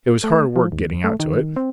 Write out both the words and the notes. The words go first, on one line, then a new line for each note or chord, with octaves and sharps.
It was hard work getting out to it!
A3
F3
D#2
A3
D#3
C4